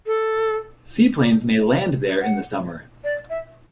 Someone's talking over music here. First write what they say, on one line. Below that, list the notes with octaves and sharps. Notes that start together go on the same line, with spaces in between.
Seaplanes may land there in the summer.
A4
F#5
D5
E5